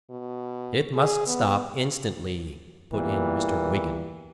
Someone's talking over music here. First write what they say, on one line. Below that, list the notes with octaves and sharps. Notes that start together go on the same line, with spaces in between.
"It must stop instantly," put in Mr. Wygant.
B2
G#4
B3
E2 A#2 E3 G3 A#3